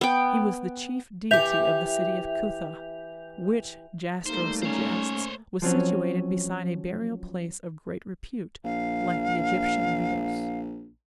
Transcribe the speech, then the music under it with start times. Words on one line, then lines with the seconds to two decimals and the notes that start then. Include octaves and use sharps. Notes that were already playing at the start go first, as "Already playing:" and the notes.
He was the chief deity of the city of Cuthah, which, Jastrow suggests, was situated beside a burial place of great repute, like the Egyptian Abydos.
0.01 B3 G5
1.31 E3 G4 E5 G6 F7
4.26 C3 G3 A3 A#3 D#4 C5
4.63 C#4 C5 C#5
5.62 F3 F#3 C4 C#4
8.64 A#1 F5